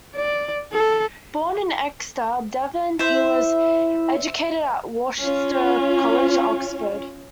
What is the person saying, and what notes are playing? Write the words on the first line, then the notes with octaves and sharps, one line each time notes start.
Born in Exeter, Devon, he was educated at Worcester College, Oxford.
D5
A4
E4 C5 E5
C#4 F4